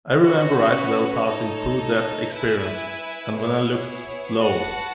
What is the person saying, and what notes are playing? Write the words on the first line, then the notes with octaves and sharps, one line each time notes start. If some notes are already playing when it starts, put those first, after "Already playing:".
I remember right well passing through that experience; and when I looked, lo!
C#4 F#4 B4
D#4 A4 C#5
E4 B4 E5 G#5
B3 E4 G#4 C#5
F#4 B4 F#5 A5